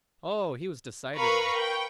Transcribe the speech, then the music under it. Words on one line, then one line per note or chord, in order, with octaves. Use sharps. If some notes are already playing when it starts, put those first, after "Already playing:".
"Oh, he was, decidedly."
A#4 B4 F5 A#5 B5 C#6
G5